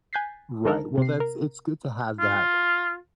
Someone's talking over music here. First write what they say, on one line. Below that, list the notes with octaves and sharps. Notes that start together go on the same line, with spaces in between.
Right, well, that's it's good to have that
G#5 F#6 G6 A6 B6 C7
D3 G#3 D#4 A4 A#4
C3 C7
A#4
F4